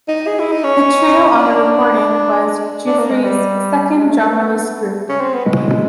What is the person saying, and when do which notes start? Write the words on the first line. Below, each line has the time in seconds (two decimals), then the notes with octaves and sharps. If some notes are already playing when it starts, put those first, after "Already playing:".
The trio on the recording was Giuffre's second drummerless group.
0.08 D#4
0.27 G#4
0.39 E4
0.52 D#4
0.64 C#4
1.38 D4
2.86 D4
2.99 A#3
3.11 G#3
3.23 G3
3.98 G#3
4.10 A3
4.23 A#3
4.35 B3
5.09 C#4
5.21 C4
5.33 B3
5.46 G#3